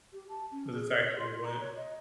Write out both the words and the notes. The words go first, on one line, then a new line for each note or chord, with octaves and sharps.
'cause it's actually wood.
G4
A5
C#4
G#4
C#5
C6
A#5
C#5
D#5